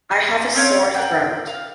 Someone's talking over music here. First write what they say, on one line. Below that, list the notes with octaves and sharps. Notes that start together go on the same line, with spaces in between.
I have a sore throat.
G#5 C6
C4 C#4 C#5 F5
A#4 F#5 G5
F5